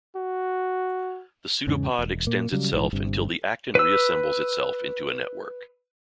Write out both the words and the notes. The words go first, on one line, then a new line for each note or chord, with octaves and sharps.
The pseudopod extends itself until the actin reassembles itself into a network.
F#4
E2 G#2 C#3
E1
A#2 A#3
C#3 F#3 G3
A#1 G#2 E3
G1 G2 C3
B4 E6